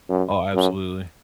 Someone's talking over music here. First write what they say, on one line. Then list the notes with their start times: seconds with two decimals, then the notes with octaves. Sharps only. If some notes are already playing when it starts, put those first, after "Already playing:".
Oh, absolutely.
0.09 F#2
0.54 F#2